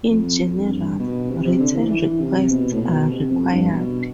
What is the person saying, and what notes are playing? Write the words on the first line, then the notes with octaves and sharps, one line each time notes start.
In general, written requests are required.
F2
F2
G2
B2
C3
C3
D3
E3
E3
C3
B2
A2
B2
C3
F2
G2
B2